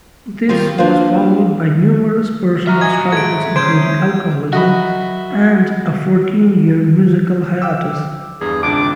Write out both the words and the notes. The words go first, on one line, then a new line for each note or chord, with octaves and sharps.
This was followed by numerous personal struggles including alcoholism, and a fourteen-year musical hiatus.
D#3 G3 C4 F4
A#3 D4 F4 B4 C5 F5
F#4 E5 A#5 F6
D#5 G#5 G#6
G#3 A3 G#6 D7
C#4 G#4 C5 G6 G#6 D7
F#3 F#4 A#4 D#5 E5 B5 F#6
G5 D6 E6
E2 G2 G#4
G#1 C#2 D4 D6